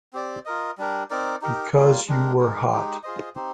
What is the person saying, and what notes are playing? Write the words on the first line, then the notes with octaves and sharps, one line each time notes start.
Because you were hot.
C4 G4 D5
F4 A#4 D#5
G3 D4 G4 A#4
C4 D#4 A#4 D5
D#4 G4 A#4
G3 A#3 F4
G#3 D4 G4 A#4
G#3 D#4 A#4
G#3 D#4 G4
F4 G#4 C5 D#5
C4 D#4 G4 C5